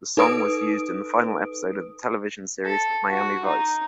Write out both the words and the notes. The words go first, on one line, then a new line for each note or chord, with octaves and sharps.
The song was used in the final episode of the television series "Miami Vice".
D#4 A4 B4 D#6 D7
A4
F#4
D#4